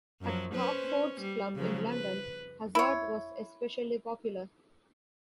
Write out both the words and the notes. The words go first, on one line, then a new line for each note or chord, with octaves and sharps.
At Crockford's Club in London, hazard was especially popular.
F#2 F3 F#3
C#4 B4 C5
C#4
G3
C#3 F3 F#3
B4
E4 C#5